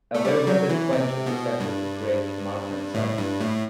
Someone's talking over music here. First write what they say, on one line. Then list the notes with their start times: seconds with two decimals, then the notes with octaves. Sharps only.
A very rapid quench is essential to create martensite.
0.15 A3
0.25 G3
0.47 F#3
0.69 E3
0.93 C3
1.26 B2
1.60 G2
2.94 A2
3.17 G2
3.40 A2